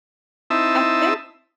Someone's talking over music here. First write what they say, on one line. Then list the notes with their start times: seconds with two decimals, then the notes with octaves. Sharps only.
I think
0.50 C4 D#4 E4 E5 A5